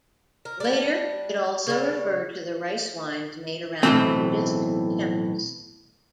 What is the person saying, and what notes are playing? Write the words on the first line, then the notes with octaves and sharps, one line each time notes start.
Later, it also referred to the rice wines made around Buddhist temples.
A#4
G3 D4
C#3 G3
B1 A2 E3 C4